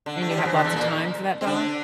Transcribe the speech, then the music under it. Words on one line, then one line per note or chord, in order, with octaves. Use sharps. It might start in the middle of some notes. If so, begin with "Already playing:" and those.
And you have lots of time for that dog?
D3
A3
G3
F3
E3
D3
E2 E3
A#2 A#3
C4
D3 D4